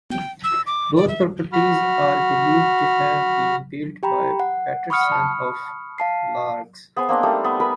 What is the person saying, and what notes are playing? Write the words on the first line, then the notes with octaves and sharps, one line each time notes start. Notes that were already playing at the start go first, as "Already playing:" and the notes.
Both properties are believed to have been built by Paterson of Largs.
G5
E6
D6
D5
E5
F#4 B5 F6
G4 G5 A#5 B5
F#5
B5 C#6 D#6 F6 C#7
F5 A5 C7
B3 G#4 C5 G#5
A#3 C4 D4 D#5
G3 A3 D#4 D#6
B3
A#4 B4 G#5 B5